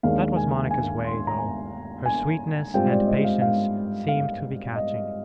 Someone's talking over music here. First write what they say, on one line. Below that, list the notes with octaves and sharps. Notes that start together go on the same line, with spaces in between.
That was Monica's way, though; her sweetness and patience seemed to be catching.
D#2 D#3 G#3 D4 F5
G#5
G#5
C6
A#5
G#5
G#5
G#2 G3 C4 F4 G5
D5
D#5
F5
F5
F5
D#5